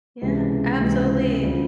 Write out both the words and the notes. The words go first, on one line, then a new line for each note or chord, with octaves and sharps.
Yeah. Absolutely.
C#2 C3 E3 G#3
C#2 C3 E3 G#3
D2 C#3 F3